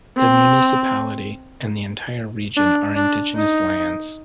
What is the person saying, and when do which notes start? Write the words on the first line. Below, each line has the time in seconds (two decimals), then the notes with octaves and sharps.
The municipality and the entire region are indigenous lands.
0.18 C4
2.57 D4
2.96 D4
3.36 D#4